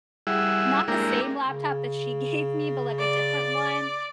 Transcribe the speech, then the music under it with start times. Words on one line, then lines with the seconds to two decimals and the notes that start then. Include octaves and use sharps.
n not the same laptop that she gave me, but, like, a different one.
0.27 G3 E4 G#4 E5 F#5
0.88 G#3 A#3 D4 E4 G4 A#4
1.45 C#3
2.99 D5